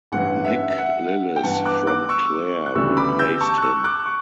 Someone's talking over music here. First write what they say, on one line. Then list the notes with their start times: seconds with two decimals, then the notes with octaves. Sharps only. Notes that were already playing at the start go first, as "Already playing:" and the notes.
Mick Lillis from Clare replaced him.
0.12 A1 G2 E3 F#5
0.45 E5
0.70 E5
0.78 F#5
1.36 G5
1.43 G2 E3 B3 F#5 A5
1.65 D6 F#6
1.87 D6 F#6
2.09 C#6 E6
2.66 F#6
2.75 D2 C#3 E3 G3 B3 C#6 E6
2.97 B5 D6
3.19 E6 G6
3.41 A5 C#6
3.58 F#6
3.62 C#6 E6
3.84 D6 F#6
4.06 C#6